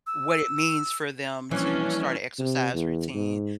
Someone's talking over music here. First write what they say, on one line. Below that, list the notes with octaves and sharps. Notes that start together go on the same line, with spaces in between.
what it means for them to start a exercise routine,
E6
E3 F3 G3 A#3 C#4 D4
C3
E2
G#2